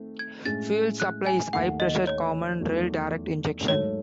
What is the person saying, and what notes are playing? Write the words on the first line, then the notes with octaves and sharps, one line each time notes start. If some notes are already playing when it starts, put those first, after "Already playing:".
Fuel supply is high-pressure common rail direct injection.
Already playing: D#3 A3 C4
G#6
A2 G#3 C#4 G#4 A6
F#6
G#5
D#2 D#3 A3 F#5
D#5
C#5
E2 D#3 F#3 A3
G#2 F#3 A3 D#4 A4 C#5